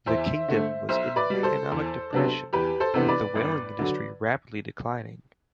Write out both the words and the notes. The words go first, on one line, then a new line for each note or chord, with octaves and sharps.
The Kingdom was in an economic depression, with the whaling industry rapidly declining.
E2 C5 E5
D3 A3
B1 C5 E5
B4 D5
B2 G3
A4 C5
E2
C3 F#3 B3 D4
E2 G4 B4
A4 C5
C3 E3 B3 D4
B4 D5
G1
D3 F#3